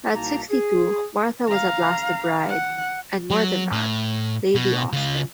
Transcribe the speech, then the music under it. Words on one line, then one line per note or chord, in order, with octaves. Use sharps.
At sixty-two, Martha was at last a bride, and more than that, Lady Austen.
C2 B2 A#3 D#4 A5 A#5
G#4
F5 A#5
F#5
F#3
A2
B2
C#3 F4